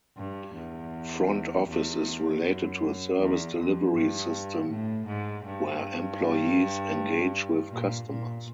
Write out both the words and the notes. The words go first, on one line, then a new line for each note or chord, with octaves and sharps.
Front office is related to a service delivery system, where employees engage with customers.
G2
E2
E2
F#2
E2
F2
G2
A2
G#2
G2
A#2
A#2